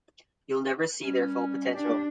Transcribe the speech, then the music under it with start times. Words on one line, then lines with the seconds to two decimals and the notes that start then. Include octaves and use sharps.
You'll never see their full potential.
1.03 G3 C#4
1.74 D4 G4